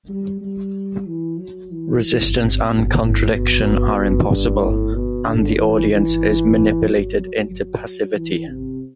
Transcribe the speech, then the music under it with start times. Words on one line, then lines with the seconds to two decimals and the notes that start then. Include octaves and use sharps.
Resistance and contradiction are impossible, and the audience is manipulated into passivity.
0.09 G3
0.41 G3
1.06 E3
1.38 F#3
1.71 E3
2.02 E3
2.35 C3
2.67 B2
2.99 A2
3.32 B2
3.97 B2
4.29 G2
4.62 A2
4.94 B2
5.26 D3
5.57 E3
5.90 E3
6.87 F#3
7.19 F#3
7.51 F#3
8.15 E3
8.48 C3